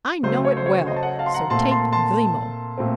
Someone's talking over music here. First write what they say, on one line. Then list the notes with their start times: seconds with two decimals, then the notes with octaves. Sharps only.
"I know it well, so take Grimaud."
0.23 C#3 F#3 A3 C5
0.45 C#5
0.57 C5
0.66 C#5
0.86 C5 D#5
0.96 A5
1.03 D#5 F#5
1.19 F5 A5
1.26 C6
1.34 F#5 A#5
1.50 A#2 A3 C4 A5 C6
1.71 A5 C6
1.92 A5 C6
2.78 A#2 A3 C4